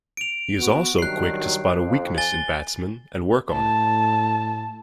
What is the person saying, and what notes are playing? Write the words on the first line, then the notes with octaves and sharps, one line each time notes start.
He is also quick to spot a weakness in batsmen and work on it.
D7 F7
B3 F#4
G2 D#3 F#3 F#6 C7
F2
G#5 A6 G7
A2 A5